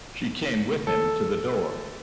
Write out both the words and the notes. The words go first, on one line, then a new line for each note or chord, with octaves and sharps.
She came with him to the door.
A4